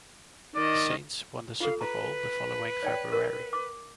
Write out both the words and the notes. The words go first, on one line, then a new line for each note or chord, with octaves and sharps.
The Saints won the Super Bowl the following February.
D#3 D5 D#5
F4 G#4 A4 F5
B4 A#5
C#5 D5 G5
A#4
D6